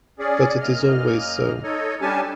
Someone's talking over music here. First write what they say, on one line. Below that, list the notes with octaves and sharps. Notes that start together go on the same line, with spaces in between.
But it is always so.
C#4 G#4 D5
F#2 A#3 D#5 F6
D#4 A4 C#5 D#5
G3 C#4 D4 G4 G#5 A5